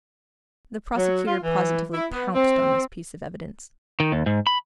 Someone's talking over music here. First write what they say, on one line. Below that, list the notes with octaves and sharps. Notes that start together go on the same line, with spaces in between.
The prosecutor positively pounced on this piece of evidence.
F#3
F4
E3
E4
B3
C4
D#3
D#2
G#2
B5